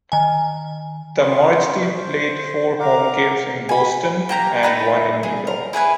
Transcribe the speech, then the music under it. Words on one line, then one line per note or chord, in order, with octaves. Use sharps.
The merged team played four home games in Boston and one in New York.
D#3 G#5
B3 C#4 F4
C5
A#4 F#5 A#5 D6
G#5 B5
A#3 G4 A#5
A3 D#4 B4
G#4
A#4
E4 G#4 B4 G#5